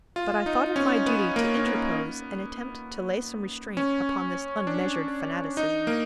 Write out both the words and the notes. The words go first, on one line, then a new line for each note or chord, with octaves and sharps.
But I thought it my duty to interpose and attempt to lay some restraint upon this unmeasured fanaticism.
F4
D#4
C#4
B3
A#3
B3
C#4
D4
D#4
A#3